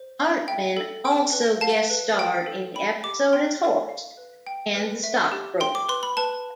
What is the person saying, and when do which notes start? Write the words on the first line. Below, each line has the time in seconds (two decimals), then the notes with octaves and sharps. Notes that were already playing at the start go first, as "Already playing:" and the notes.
Hartman also guest-starred in the episode as Horst and the stockbroker.
Already playing: C5
0.20 F5
0.48 E5 G5
0.77 A4
1.05 G5
1.33 B4
1.61 F5 A5
1.90 B4
2.19 G5
2.46 A4
2.75 G5 B5
3.04 G4 D6
3.33 G5 C6
3.60 A4
3.89 F5
4.17 B4
4.47 G5
4.75 B4
5.03 E5
5.32 G4
5.60 G5 C6
5.75 D6
5.89 B4 C6
6.03 B5
6.17 B4 A5